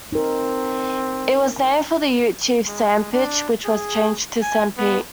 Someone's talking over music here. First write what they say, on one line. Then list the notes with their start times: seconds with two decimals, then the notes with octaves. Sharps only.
It was named for the Ute chief Sanpitch, which was changed to Sanpete.
0.12 C4 D#4 A#4
2.68 G#3
3.13 D4
3.65 G#4
4.42 G#5
4.78 B3